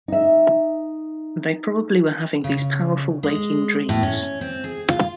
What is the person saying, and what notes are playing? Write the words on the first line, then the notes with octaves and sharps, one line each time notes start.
They probably were having these powerful waking dreams.
D#4 E5
C#3
G#3
A2
C#4
C4
G#4
F4